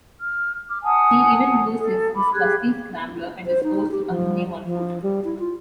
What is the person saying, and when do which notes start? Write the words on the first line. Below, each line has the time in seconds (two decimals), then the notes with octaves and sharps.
He even loses his trusty Scrambler and is forced to continue on foot.
0.19 F6
0.68 D6 F6
0.83 F#5 G#5 A5 D#6
1.75 A4
2.15 B5 D6
2.33 G4 G#4 F#6 G#6
3.46 C5
3.64 D#4
3.91 G4
4.09 F3
4.65 F3
5.02 G3
5.24 E4
5.39 F4